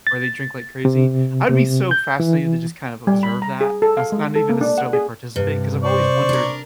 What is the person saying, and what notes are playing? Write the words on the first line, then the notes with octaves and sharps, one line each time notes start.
where they drink like crazy. I'd be so fascinated to just kind of observe that. That's not even necessarily participate 'cause I've always wondered,
A6
C3
C3
G6
E3
G3
B5
A#5
G#4
A4
F5
G#3
A4
A#3
D4
F#5
G#4
G2 C3
C5 D5 C#6
D4 A#4